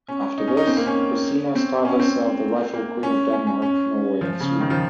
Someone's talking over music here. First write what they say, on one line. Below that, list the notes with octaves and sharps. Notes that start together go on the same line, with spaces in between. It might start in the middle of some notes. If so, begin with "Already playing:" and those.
After this, Christina styled herself the rightful Queen of Denmark, Norway and Sweden.
C#4
D#4
C#4
D#4
C4
A#3
C#4
C4
C#4
C4
A#3
C#4
C#4
C#4
C#4
F3
C#3
D#3
F3